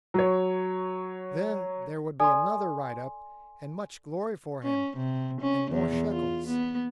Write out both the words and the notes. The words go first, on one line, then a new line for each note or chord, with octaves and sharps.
Then there would be another write-up and much glory for him and more shekels.
F#3 C#5
A4 D5 G#5 C6
C#4
C3
C#4
E2
F4
B3